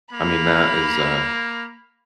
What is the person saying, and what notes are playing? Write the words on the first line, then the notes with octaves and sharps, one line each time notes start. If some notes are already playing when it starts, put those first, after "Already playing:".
I mean that is a
A#3 B5 F7